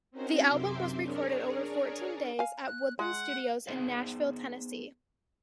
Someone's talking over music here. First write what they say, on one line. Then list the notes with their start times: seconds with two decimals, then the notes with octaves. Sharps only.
The album was recorded over fourteen days at Woodland Studios in Nashville, Tennessee.
0.11 C4 C#4 D#4 F#4 A#4 C5
0.49 F#2 C3 C4 E5 C6 D6
1.01 D4 G#4 A#4 C#5 D5
2.39 F5 G#5
2.67 F#6
2.99 G#3 F#5
3.67 B3 D#4 G#4 C5 D5 F5